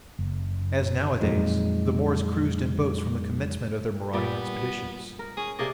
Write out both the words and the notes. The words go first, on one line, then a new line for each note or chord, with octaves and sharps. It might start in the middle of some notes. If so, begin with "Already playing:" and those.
As nowadays, the Moors cruised in boats from the commencement of their marauding expeditions.
F#1
F2 A#2 F#3 G#3 D#4
A#2 G3 B3 G5
A#4
C#4 G#4
C3 A#3 G#4 D5